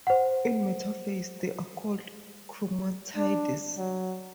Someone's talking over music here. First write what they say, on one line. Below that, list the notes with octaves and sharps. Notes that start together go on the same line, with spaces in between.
In metaphase, they are called chromatids.
C5 F#5
D4
F#3